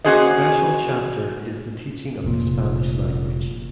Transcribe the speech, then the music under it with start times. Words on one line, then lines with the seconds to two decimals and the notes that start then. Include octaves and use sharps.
Special chapter is the teaching of the Spanish language.
0.04 A#3 C#4 F#4 G#4 C5 D#5
2.24 F1 A#2